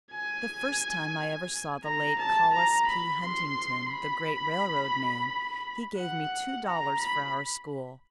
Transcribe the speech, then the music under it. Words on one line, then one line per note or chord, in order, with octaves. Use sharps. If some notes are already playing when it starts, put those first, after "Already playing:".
The first time I ever saw the late Collis P. Huntington, the great railroad man, he gave me two dollars for our school.
G#5
A#5
A5
A#5
B5
C6
B5
F#5
A#5
B5